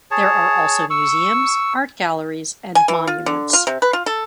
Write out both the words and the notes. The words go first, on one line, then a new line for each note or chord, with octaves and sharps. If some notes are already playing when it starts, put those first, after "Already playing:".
There are also museums, art galleries and monuments.
G#4 C#5 A5
C#6 E6
G#5
E3
F4
D3
F4
C3
B4
F4
A4